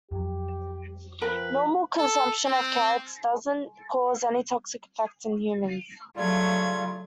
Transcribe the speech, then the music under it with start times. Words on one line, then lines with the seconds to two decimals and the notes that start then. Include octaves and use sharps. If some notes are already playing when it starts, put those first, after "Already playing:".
Normal consumption of carrots doesn't cause any toxic effect in humans.
0.11 F2 F#3 G4
1.22 F3 A#4 B4 G5 B5
1.98 A4
2.46 C4
6.16 C#3 F#3 G3 A3 F4 G#6